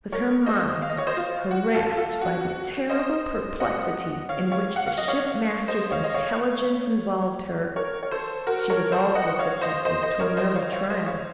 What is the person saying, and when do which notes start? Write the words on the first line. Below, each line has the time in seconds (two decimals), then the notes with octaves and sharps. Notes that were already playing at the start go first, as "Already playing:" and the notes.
With her mind harassed by the terrible perplexity in which the shipmaster's intelligence involved her, she was also subjected to another trial.
0.12 A#4 C#5
0.46 C5 D#5
0.82 F5
0.90 D#5
0.98 C#5
1.07 C5 D#5
1.17 F4
1.51 F#4
1.74 F4 A4
1.97 F4 A4
2.21 F#4
2.44 F#4
2.90 C5 D#5
3.60 D#5 F#5
4.29 C#5 F5
4.52 C#5 F5
4.76 F#5
4.87 F5
4.98 D#5
5.08 C#5 F5
5.68 C5 D#5
5.91 C#5 F5
6.04 D#5
6.14 C#5 F5
7.76 A#4 C#5
8.03 C#5
8.11 A4 C5
8.47 F#4 A#4
8.70 A#4 C#5
8.92 A4 C5
9.15 D#5 F#5
9.39 C#5 F5
9.61 C5 D#5
9.85 C5 D#5
10.03 C5 D#5
10.20 A#4 C#5
10.37 C5 D#5
10.55 C#5 F5
10.72 C#5 F5
10.90 C5 D#5
11.06 C#5 F5